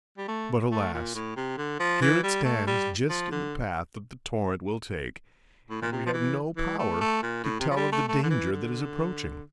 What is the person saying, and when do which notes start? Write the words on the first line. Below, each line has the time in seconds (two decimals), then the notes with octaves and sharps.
But, alas! here it stands, just in the path that the torrent will take, and we have no power to tell of the danger that is approaching.
0.17 G3
0.28 A3
0.71 A3
0.94 A#2
1.15 A2
1.36 C3
1.58 D3
1.80 F3
2.01 E3
2.23 G3
2.44 A3
2.67 G3
3.09 F3
3.31 D3
5.70 A2
5.82 A#2
5.92 C3
6.06 F3
6.13 E3
6.57 E3
6.79 A3
7.01 A3
7.22 A#2
7.44 A2
7.60 C3
7.70 F3
7.76 G3
7.92 A3
8.09 A3
8.23 D3
8.30 E3
8.52 D3